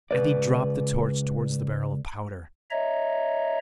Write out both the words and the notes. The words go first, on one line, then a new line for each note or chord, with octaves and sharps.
And he dropped the torch towards the barrel of powder.
C#2 B4 D5
C#5 D#5 E5 A#5